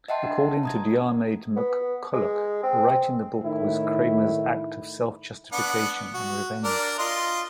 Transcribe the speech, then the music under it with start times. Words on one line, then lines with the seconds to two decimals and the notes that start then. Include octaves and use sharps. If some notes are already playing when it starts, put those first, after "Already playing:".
According to Diarmaid MacCulloch, writing the book was Kramer's act of self-justification and revenge.
0.08 D#5 E5 F#5 G5 A5 C6
0.23 D4
0.63 A#5 D#6 G#6
1.56 B3
2.13 G#3
2.63 C4
3.43 A2 D#3 E4
5.52 B3 D4 F#5
6.14 F#4
6.64 D4 A#4 D5
6.98 F4 D#5 C6